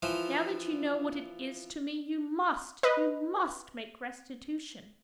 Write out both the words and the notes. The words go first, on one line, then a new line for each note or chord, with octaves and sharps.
Now that you know what it is to me, you must--you must make restitution.
E3 F3 F4
B4 D#5